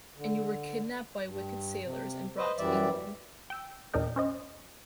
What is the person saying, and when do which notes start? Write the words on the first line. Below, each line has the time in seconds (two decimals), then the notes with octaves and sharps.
And you were kidnapped by wicked sailors and brought to England.
0.16 D3
1.24 G2
1.84 C3
2.38 B4 C5 D#5
2.59 F#2 E3 G3 D5 E5
3.50 G5 E6
3.94 E2 A#2 D4 A#4 D#5 G5
4.16 C#4 C5 D#5